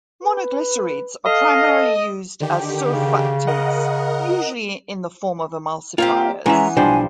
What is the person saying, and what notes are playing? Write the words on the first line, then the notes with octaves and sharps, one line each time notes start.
Monoglycerides are primarily used as surfactants, usually in the form of emulsifiers.
B4
A4 D#5 F5
D3 D#3 G4
C#3
A#4 D#5 F#5
A#3 C4 F4 G4
E3 G#3 B3 C#4 E5 A#5
B1 F3 G3 D4 C5 G#5